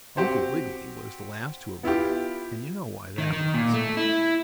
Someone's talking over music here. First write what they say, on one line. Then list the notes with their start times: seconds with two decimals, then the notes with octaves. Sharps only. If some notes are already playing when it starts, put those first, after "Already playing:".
Uncle Wiggily was the last to arrive, and you know why that was.
0.17 C4 F#4 G4 C5
1.83 B3 E4 F4 G4
3.18 D#3
3.33 D#3
3.54 A#2
3.74 A3
3.97 E4